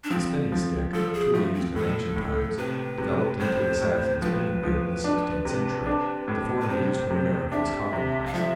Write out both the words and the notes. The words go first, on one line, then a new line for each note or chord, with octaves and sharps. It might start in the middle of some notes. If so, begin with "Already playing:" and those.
The spinning-stick, a tool used in ancient times, developed into the Saxon spinning-wheel of the sixteenth century, the form used when America was colonized.
D4
F3 C4
F3
F3 A4
G#4
F3 A3
C4
A2 A4
A2
C3 B4
C3
A2 C5
A2
F3 B4
F3
D4
C3
D4
A2
B4
C3 C5
C3
D4 E5
C3
F5
F3 E5